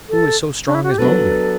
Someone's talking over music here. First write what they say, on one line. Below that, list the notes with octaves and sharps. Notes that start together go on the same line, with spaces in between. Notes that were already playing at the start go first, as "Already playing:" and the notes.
Who is so strong as Mowgli?
A4
D4
E4
F#4
G4
F#3 B3 D4 F#4 A4 B4